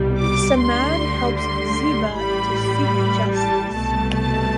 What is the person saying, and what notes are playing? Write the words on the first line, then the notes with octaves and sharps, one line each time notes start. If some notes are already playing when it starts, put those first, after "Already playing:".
Samad helps Zeba to seek justice.
Already playing: C2 B2 G3
D6
D2 D3 G3 C6
C6
A1 A2 G3 B5
A5
C2 B2 A3 A5
A5